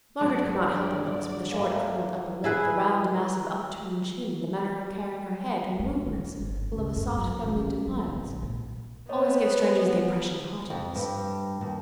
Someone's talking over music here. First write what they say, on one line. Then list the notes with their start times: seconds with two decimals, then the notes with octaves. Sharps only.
Margaret could not help her looks; but the short curled upper lip, the round, massive up-turned chin, the manner of carrying her head, her movements, full of a soft feminine defiance, always gave strangers the impression of haughtiness.
0.21 G2 F#3 G#3 D5
1.51 A3 A#3 C#4
2.44 E4 G#4 B4
5.79 G3
6.07 G#3
6.39 G1
6.72 C#2
6.96 G2
7.17 F#3
7.44 F#3
7.56 C#4
7.87 F#3
8.08 C4
8.23 A#1
8.42 A#2
9.09 B3 C#5 D#5
10.70 F2
10.95 G2
11.61 D#2